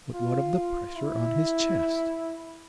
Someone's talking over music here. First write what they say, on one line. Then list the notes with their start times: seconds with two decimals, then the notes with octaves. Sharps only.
But what of the pressure on his chest?
0.15 F4
0.94 E4